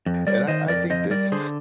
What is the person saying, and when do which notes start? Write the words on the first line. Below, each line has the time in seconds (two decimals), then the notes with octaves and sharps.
and I I think that
0.06 F2
0.27 G3 A#4 D5
0.47 D#3 C5 D#5
0.68 F2 A#4 D5
0.90 F2 C5 D#5
1.10 G3 A#4 D5
1.32 D3 G#4 C5